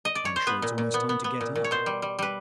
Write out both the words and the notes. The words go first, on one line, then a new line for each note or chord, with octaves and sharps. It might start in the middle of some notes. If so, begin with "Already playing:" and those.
I'm sure it's almost time to get up.
D#5
D5
C#5
C5
B3 B4
A#2
A#2
B3
B3
B3
A#2
A#2
C#5
B2 C5
G3
G3
G3 B4